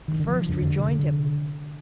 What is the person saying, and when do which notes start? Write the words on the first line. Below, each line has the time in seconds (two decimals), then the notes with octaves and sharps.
The first rejoined him.
0.08 D#3
0.19 D3
0.28 F3
0.49 F2 D3
0.80 C3